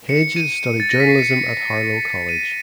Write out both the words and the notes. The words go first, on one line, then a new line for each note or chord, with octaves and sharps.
Hedges studied journalism at Harlow College.
C#7
D#7
A6
A#6
B6
C7
C#7
D#7